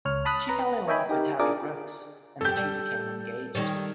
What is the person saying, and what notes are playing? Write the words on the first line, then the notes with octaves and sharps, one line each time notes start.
She fell in love with Harry Brookes, and the two became engaged.
C#2 C#5 F6
A5 B5 D#6 F#6 B6
B4 A#5
C#5 D#5 E5 G5 G#5 B5
D#4 G4 A#4
D4 F4 G#4 A#4 D5 D6
F#2 G4 A4 G6
G3
D#3 G3 C#4